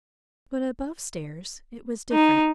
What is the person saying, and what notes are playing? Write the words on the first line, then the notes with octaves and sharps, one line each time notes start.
But above-stairs it was different.
D#4